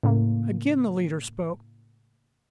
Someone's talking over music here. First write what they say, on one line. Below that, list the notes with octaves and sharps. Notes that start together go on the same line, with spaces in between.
Again the leader spoke.
A2 C#3 A#3